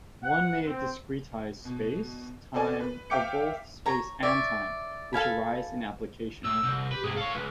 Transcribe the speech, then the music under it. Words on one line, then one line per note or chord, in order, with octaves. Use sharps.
One may discretize space, time, or both space and time, which arise in application.
F#5
C4
B2
C4 A4 D5 G#5
B4
E5 F5 G5 D6 G6 C#7
C#5 A#5
C#5 D5 E5
A4 F5 G#5 B5
A2 E6
C2
G4 B4
G#2 C3 G#4
A4 C#5 F5
C#2 B4